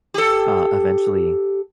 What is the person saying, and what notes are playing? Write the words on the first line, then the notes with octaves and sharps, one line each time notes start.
uh, eventually,
G4 A4